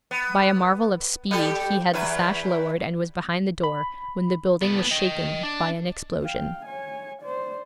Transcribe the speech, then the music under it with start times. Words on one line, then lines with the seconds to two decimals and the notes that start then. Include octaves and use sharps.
By a marvel of speed he had the sash lowered, and was behind the door, when the building was shaken by an explosion.
0.11 B3
1.31 G3 G4 A4
1.93 E2 E4 B4
3.64 B5
4.62 A2 B3
4.92 D#5 G5
5.43 D4
6.23 F5 G5
6.66 C#5 G#5
7.22 C5 D5